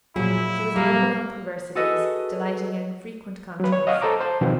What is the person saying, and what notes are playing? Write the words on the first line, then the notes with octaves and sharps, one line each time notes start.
She was a woman of perversities, delighting in frequent contrasts.
A#2 F3 F#3 E4 G#4
G3 A#3
F#4 G#4 A4 B4 D#5
F#3 B4
C#5
D#5 F5 F#5 C#6 F6
A4 C5 A#5 D6
C5 A5
B2 D#3 F3 B3 C4